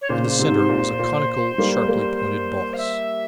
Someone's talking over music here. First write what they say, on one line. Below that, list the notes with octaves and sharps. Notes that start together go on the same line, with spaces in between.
In the centre was a conical, sharply pointed boss.
C#5
A#2 C#3 C5
G#2 C3
A#2
A#2
G3 A#3
G3 A#3
F5
E5